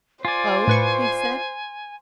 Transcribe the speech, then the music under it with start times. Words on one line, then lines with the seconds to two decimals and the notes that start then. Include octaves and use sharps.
"Oh!" he said.
0.25 F4 C5 D5 G#5
0.68 A2 B4 C#6